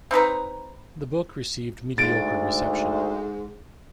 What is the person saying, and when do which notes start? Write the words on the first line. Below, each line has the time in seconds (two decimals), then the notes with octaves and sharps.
The book received mediocre reception.
0.11 C4 D#4 B4 A#5
1.98 D2 G#2 A6 D7